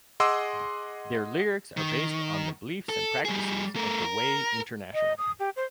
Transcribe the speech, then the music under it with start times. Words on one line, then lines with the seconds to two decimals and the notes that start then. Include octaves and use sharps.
Their lyrics are based on the beliefs and practices of The Way International.
0.20 G#4 D#5 F#5 C6 D6 E6
1.77 D#3
2.89 A4
3.25 G3 G#4
3.76 A3 A#4
4.05 A#4
4.94 D#5
5.18 D#6
5.40 G4
5.56 C5